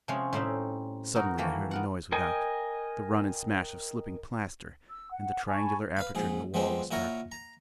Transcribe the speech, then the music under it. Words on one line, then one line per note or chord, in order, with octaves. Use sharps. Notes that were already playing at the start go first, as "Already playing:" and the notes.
Suddenly I heard a noise without, the run and smash of slipping plaster, and the triangular aperture in the wall was darkened.
C3 F3 G#3 C4 C#4 C#5
A2 G3 C4 C#4 D#4 E5
D#4 F#4 A#4
D#3 E3 A3 A#3
B3 A#4 F#5
A#4 D#5 G5 G#5
E6
F#5
G#5 A5 B5 C#6
B4 F5 B5
A#1 G#2 G#4
F3 G3 G#3 B3 C4 D4
A#2 E4 A#4 C#5 F#5 A#5
A#5